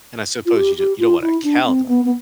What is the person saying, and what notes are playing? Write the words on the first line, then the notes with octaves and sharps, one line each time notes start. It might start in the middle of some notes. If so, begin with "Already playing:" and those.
And I suppose you don't you don't wanna count on
F4
G4
G4
F4
E4
D4
C4
B3
B3